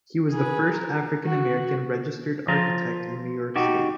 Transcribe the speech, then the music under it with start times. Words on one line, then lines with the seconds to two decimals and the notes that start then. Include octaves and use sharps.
He was the first African American registered architect in New York State.
0.31 G#4 B4
0.71 A#4
1.24 F#4
2.48 F3 F4 A#5
3.56 D#4 F#4 G4